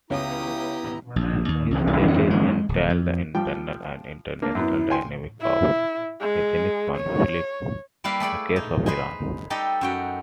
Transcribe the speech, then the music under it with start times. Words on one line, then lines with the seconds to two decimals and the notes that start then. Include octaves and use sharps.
His thesis entitles "Internal and international dynamics of ethnic conflict: the case of Iran".
0.10 C#2 B3 C#4 E4 G4 A#5 D#6
1.16 A#1
1.48 D#2
1.71 C#2
1.87 C2
2.08 F2
2.30 G#3
2.69 D1
2.90 F2
3.35 F3 G3 G5
4.42 A#3 D4
4.55 F#2 B3 E4
4.90 G5 G#5 C6
5.41 E4
6.21 G#3
6.97 C#5
8.04 G3 A#3 E4 B4 F5
8.20 A3 G#4 D5 B5
8.56 D#4
8.86 B4 C5 D#5 G#5
9.50 G3 D#4 G4 A4 D#5
9.81 F#2 F#4 G5